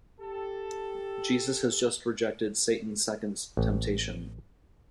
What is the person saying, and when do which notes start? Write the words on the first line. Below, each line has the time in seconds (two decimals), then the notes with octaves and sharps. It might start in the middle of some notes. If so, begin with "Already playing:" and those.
Jesus has just rejected Satan's second temptation.
0.21 G4 A4
3.57 A1